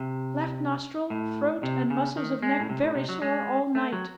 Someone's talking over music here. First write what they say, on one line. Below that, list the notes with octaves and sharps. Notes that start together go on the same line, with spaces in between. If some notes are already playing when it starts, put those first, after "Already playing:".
Left nostril, throat and muscles of neck very sore all night.
Already playing: C3
A2
C3
C#3
D#3
G#3
A2
C3
A2
C3
F#3
G#3
A3
F#3